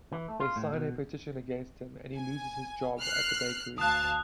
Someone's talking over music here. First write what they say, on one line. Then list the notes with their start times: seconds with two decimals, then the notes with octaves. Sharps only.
They sign a petition against him and he loses his job at the bakery.
0.12 E3
0.28 A3
0.40 F4
0.56 A2
0.73 B2
2.14 G#5
3.00 F6 F#6 C7
3.78 D2 F5 A5 D#6 F#6